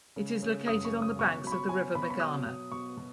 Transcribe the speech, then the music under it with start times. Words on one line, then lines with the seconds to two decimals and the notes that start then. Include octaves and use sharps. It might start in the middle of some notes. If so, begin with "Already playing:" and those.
It is located on the banks of the river Meghana.
0.16 C#3
0.43 C#3
0.67 F#2 D#6
0.85 C#6
0.93 C#3
1.02 D#6
1.19 B2 C#6
1.44 F#3 B5
1.52 C#6
1.69 F#3 G#5
1.95 B2 B5
2.03 C#6
2.10 B5
2.20 F#3 D#6
2.46 B2
2.71 B2 C#6
2.97 B2